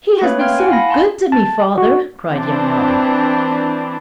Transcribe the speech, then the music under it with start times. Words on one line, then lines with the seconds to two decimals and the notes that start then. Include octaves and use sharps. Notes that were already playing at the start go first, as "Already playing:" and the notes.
"He has been so good to me, father," cried young Robin.
0.21 A3 A#3 C#4 B4 C#5
0.38 F5 G5 C6 F6 G#6
0.58 E4 F#5 G#5
0.71 F5 B5 A#6
0.89 G#5 A5 C6
1.32 A5
1.78 F#4
2.28 E3 C4 D4